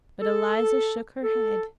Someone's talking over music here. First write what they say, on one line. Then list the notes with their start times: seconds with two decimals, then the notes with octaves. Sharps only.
But Eliza shook her head.
0.21 A4
1.23 A4